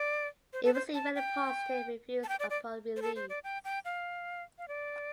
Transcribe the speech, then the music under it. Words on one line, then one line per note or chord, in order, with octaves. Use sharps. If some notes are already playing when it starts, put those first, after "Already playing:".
It received many positive reviews upon release.
Already playing: D5
C5
A4
C5
A5
G5
A5
G5
D5
D5
C5
A4
C5
D5
G5
G5
F5
F5
D5